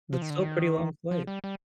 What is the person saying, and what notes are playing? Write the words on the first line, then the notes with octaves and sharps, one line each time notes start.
That's still a pretty long flight.
F3
D#3
D3
D#3
F3
G3
G3